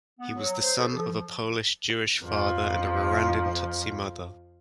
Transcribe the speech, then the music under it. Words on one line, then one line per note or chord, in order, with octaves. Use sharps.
He was the son of a Polish Jewish father and a Rwandan Tutsi mother.
B3
F#3
C5
A4
F3
F2 F3